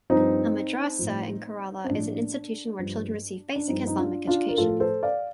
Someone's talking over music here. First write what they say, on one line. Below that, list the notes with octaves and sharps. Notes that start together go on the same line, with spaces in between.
A madrasa in Kerala is an institution where children receive basic Islamic education.
G2 F3 C4 D#4
A2 F3
C4
A2 F3 D4
G2 F3
D4
G2 F3 C4 D#4
D#4
D4 F4
D4 F4
A#4
A2 F3 F4 A4
A4 C5
D5 F5